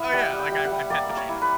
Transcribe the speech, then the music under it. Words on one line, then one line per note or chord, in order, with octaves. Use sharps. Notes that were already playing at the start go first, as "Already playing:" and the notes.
Oh yeah, like I I pet the cheetah.
Already playing: B3 E4 E5
G3 F#5
G3
G5
G3
F#5
G3
A#3 D5
A#3
C#5
E4
B4